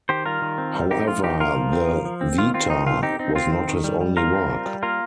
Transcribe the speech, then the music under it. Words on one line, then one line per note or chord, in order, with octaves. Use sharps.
However, the "Vita" was not his only work.
D#3 G4 C5
G3 F4 A#4
D#3
C4
G3
C4 D#4 G4
F3 F4
F3 D#4 G4
F3 F4 A#4
F3
C4
F3
F3
C4
D#3 F4
C4 F4
D#3 D#4
C4 F4
C4 D#4 G4
C4 D#4
C4 F4
D#3
D#3
G3
G3
G3 F4 A#4
C4
G3
G3
A#3 F4 A#4